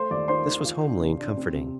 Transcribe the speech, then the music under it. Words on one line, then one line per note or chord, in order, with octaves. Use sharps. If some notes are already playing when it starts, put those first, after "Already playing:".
This was homely and comforting.
Already playing: A3 C5 C6
D#2 D5 D6
D#3 C5 C6
D#3
F4
D4
C3
D4
C4
C3